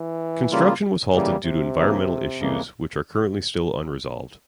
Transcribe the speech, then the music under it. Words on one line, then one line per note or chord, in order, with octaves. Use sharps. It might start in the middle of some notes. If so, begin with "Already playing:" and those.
Construction was halted due to environmental issues, which are currently still unresolved.
Already playing: E3
C#3 G3 A#3 F4
C#3 E3 G3 A#3
C3
C#3 E3 A#3
F2 C#3 E3 A#3